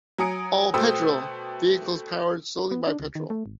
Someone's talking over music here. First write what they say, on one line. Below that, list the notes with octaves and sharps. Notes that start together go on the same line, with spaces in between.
All Petrol - Vehicles powered solely by petrol.
F#3 G#5 A#5 D#6 C#7 D7
B2 A3 C5 G5 D#6 E6
B3
D4
C#2
D#3
A3
G#1